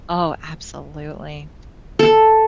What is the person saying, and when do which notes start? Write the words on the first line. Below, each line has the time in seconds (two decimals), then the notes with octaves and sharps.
Oh, absolutely,
1.99 A4